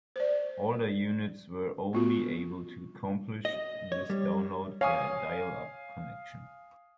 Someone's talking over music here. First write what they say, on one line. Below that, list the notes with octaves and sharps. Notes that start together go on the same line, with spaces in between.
Older units were only able to accomplish this download via a dial-up connection.
C5 D5
B3 F4 F#4
D#5
C#5
G3
C#5 F5 G#5 D#6